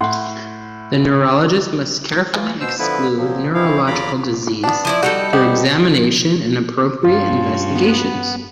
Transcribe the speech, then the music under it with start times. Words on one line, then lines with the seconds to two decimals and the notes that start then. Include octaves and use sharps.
The neurologist must carefully exclude neurological disease, through examination and appropriate investigations.
0.01 A2 F#5 C6
2.36 E3 F4
2.61 B2 C5 E6
2.79 D3 F3 B3 E4 B4
3.17 A#2 F3 F#3
3.54 D#3 E3 C4 E4 F5
3.87 E2 F#3 F4 A#5 B5 D6
4.64 B3 D4
4.85 F3 E4 D5
5.03 G3 D#4 F#4 A4
5.33 B3 C4 G4
7.04 G2 C#4 F4
7.75 B3